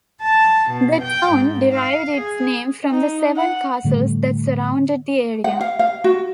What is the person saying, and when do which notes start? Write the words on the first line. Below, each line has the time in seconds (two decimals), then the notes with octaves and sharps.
The town derived its name from the seven castles that surrounded the area.
0.22 A5
0.69 B2
1.02 G5
1.33 G#2
1.75 F5
2.18 G#4
2.90 D#4
3.36 F#5
3.84 A2 D3 G3 A3
5.44 F#5
5.61 F5
5.79 F5
6.04 F#4